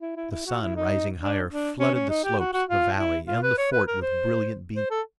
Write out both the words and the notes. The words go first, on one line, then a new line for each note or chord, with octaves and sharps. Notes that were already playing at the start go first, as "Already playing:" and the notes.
The sun, rising higher, flooded the slopes, the valley, and the fort with brilliant beams.
E4
E4
E4
F#4
E4
D#4
D4
D4
C#4
C#4
D#4
G4
F#4
F#4
F4
E4
F4
B4
C#5
B4
A#4
C5
C5
A4